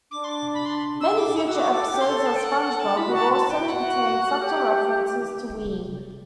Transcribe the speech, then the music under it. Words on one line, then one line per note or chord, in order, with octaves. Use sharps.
Many future episodes of SpongeBob would also contain subtle references to Ween.
D4 D6
C6
D6
B5
C6
E6
E4 D6
D4
E4 E6
F#4 E6
D6
A4 D6
G4
C6
A4
A5
G5
F#5
F#5
A5
E4 B5
F#4
A5
A5
D4 G5
E4
F#4 F#5
A4
G4